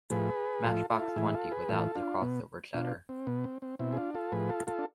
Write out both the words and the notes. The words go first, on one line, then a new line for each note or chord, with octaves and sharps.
Matchbox Twenty without the cross over-cheddar.
A2 F3 G#4 B4
A2 F3 F4 A4
F4 A4
E4
F4
A2 E3 E4 G#4
F4 A4
G#4 B4
A2 E3 F4 A4
D4 F4
B2 B3
B2 D4 F4
C4
B2 B3
C4
C4
B2 C4 E4
G#4
D4 F4
F4 A4
A2 F3 G#4 B4
F4 A4
F4 A4
D4